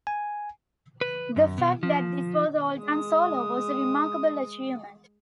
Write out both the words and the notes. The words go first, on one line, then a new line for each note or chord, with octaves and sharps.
The fact that this was all done solo was "a remarkable achievement".
G#5
B4
F#2
B2
F3
G#3 D#6